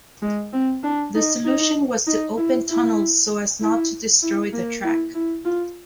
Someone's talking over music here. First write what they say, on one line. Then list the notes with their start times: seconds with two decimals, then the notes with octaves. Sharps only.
The solution was to open tunnels so as not to destroy the track.
0.22 G#3
0.53 C4
0.83 D4
1.14 D#4
1.45 D#4
2.07 D#4
2.38 E4
2.69 E4
3.61 E4
4.22 E4
4.53 A#3
4.83 E4
5.14 E4
5.45 F4